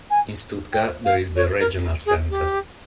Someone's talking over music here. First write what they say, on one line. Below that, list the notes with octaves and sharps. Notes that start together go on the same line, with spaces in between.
In Stuttgart there is the "Regional Center".
G#5
G5
F5
C#5
A#4
G#4
G4